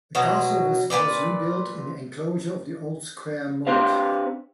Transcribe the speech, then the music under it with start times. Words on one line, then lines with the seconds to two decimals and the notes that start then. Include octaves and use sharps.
The castle was rebuilt in the enclosure of the old square moat.
0.15 B2 F#3
0.90 A#2 E3 B4 D5
3.67 C4 D4 G4 B4 C5 F5